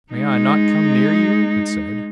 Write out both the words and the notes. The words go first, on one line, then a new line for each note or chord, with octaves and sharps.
"May I not come near you?" it said.
G#3 D#4